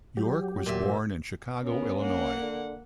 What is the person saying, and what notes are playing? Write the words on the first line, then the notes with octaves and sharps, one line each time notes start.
York was born in Chicago, Illinois.
F#3 G4
A#2 E5
B3 C#4 A#4
A#3 F#5
D3